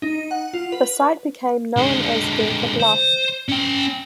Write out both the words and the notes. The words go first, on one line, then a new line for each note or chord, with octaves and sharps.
The site became known as 'Gurkha Bluff'.
D#4
F#5
F4
B4
D3 G#3
C5
C#4 G5